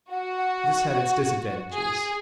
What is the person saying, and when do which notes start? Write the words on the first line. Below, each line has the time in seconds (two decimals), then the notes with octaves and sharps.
This had its disadvantages.
0.10 F#4 F#5
0.37 F#5
0.65 F#5
1.74 G#4